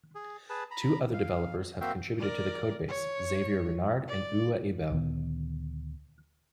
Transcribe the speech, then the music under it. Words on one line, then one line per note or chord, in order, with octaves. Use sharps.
Two other developers have contributed to the code base: Xavier Renard and Uwe Ebel.
G#4
G#4 B4 A5
A#5 B5
F5
A#3 C4 F#4 E5 F5 G5
A#4 D5
C#5
D5
D2 A#2 D#3 B3